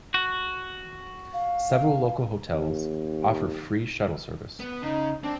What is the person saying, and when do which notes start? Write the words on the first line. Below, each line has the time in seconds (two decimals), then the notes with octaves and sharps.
Several local hotels offer free shuttle service.
0.14 F#4
1.34 F5
2.54 D#2
4.60 B3
4.83 C#3 D#4
5.24 C4 D4